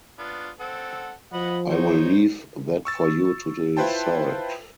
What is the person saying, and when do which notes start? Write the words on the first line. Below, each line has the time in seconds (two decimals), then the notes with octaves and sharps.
I will leave that for you to decide.
0.19 B3 D4 F4
0.60 C4 A4 F#5
1.33 F3 D#5 F#5 B5
1.69 D#4 C5 C#5
2.85 C#6 E6 A6
3.77 E4 F4 B4 C5 G5 A5